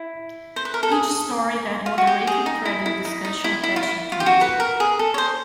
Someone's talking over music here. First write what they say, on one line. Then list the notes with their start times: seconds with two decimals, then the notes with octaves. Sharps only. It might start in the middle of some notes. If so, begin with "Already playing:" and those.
Each story had moderated threaded discussion attached to it.
Already playing: E4
0.56 C5
0.65 B4
0.74 A#4
0.83 A4
0.91 G#4
1.86 F4
1.98 F#4
2.07 G4
2.27 G#4
2.46 D#4
2.65 E4
2.86 E4
3.05 D#4
3.25 D#4
3.44 E4
3.63 E4
3.76 F4
3.83 E4
4.12 F4
4.20 G4
4.26 F#4
4.41 B4
4.60 A#4
4.80 G#4
4.99 A4
5.14 C#5
5.18 C5